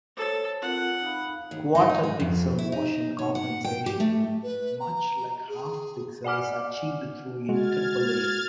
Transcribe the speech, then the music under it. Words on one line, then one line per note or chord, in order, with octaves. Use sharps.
Quarter-pixel motion compensation, much like half-pixel, is achieved through interpolation.
A4 C5 C#5
C4 F4 A#4 F#5
D#4 F5 B5
D#2
D#4
D#4
G#3
F2
E4
D#4
C#5
F#5
G5
G4
A3
B4
A#5
G#4
D5 F#5 G#5 D6 F6
G#3 F#4 F6 G#6 A6